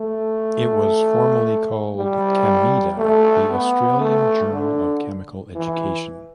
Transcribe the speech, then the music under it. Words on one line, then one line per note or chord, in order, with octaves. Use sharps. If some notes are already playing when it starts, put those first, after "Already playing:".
It was formally called "Chemeda: The Australian Journal of Chemical Education".
Already playing: A3
G3
A3
B3
A3
D3
E3